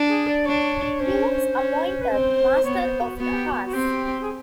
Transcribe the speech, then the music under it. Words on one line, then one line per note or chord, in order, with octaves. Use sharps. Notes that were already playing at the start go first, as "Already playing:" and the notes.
He was appointed Master of the Horse.
Already playing: D4
G#4
D5
D4 C#5
C#4 C5
C#4
B4
C4 C5
B3 C#5
C5
F#4
B3 F#4
G4
F#4
F#4
C4 G4
G#4